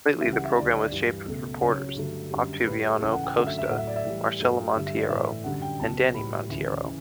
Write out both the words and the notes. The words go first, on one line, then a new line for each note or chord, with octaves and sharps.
Lately, the program was shaped with reporters: Otaviano Costa, Marcela Monteiro and Dani Monteiro.
C#2 C#3 E3 G3 E5
F#5
E5
D2 D3 G3 D5
G2 E3 G3
C#2 B2 A3
C#2 C#3 F#3 C#5
G2 D3 F#3 A3
F#2 D3 G3
A2 G3 B4
A4
C#2 C#3 E3 A4
F#5
G5
F#2 D3 F#3 A3 F#5
E5
E5
A2 F#3 A3 F#5
E5
D5
E5
A2 E3 G3
G2 F#3 A3
G2 D3 G3 E5
E5
D5
A2 E3 A3 E5
F#2 D3 G3 F#5
G5
C#2 B2 F#3 A5
A2 G3 B5
D2 C#3 E3 G3
C#3 E3